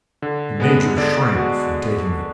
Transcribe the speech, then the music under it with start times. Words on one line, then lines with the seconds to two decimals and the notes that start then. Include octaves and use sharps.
The Major shrank from taking it.
0.22 D3
0.60 G#3 B3
0.97 D3 D5
1.35 G#3 B3 F#4